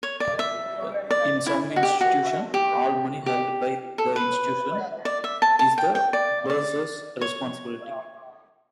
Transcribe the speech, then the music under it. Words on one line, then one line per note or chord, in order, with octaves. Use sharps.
In some institutions, all money held by the institution is the bursar's responsibility.
C#5
D5
E5
D5
E4
F#4
G4
F#4
G4
G4
A4
B4
D5
E5
A5
A5
G5
G5
D5
D5
C#5